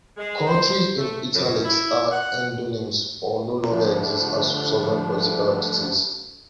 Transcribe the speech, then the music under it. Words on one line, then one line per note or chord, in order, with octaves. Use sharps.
Countries in "italics" are endonyms or no longer exist as sovereign political entities.
G#3
C5
A3
F#2
E4
F#5
D3 F3 G3 A3 D4